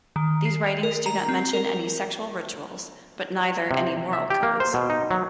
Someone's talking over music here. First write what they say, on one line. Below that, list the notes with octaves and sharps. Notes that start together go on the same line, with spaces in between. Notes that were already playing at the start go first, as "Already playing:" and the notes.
These writings do not mention any sexual rituals, but neither any moral codes.
D#3
C7
F7
A#4
A#5
C4
A#4
C3
E5
G4
A#3
C5
B2
D#4
F#3